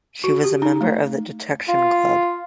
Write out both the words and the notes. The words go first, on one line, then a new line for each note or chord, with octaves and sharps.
She was a member of the Detection Club.
F#4
G4
D#4
A3
F4